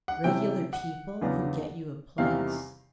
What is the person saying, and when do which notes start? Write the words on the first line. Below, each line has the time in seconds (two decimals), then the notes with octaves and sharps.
"Regular people who get you a place?"
0.08 F#5
0.24 C3 E3 A3 C#4 G5
0.73 F#5
1.21 E2 C#3 F#3 B3 D4
2.18 E2 C3 D#3 G3 C4 F5